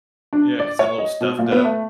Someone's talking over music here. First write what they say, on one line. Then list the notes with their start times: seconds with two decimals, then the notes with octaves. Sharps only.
Yeah, 'cause I'm a little stuffed up.
0.33 D4
0.59 D5
0.79 C#5
0.98 D#5
1.21 B2
1.39 A#2
1.52 B3
1.64 A3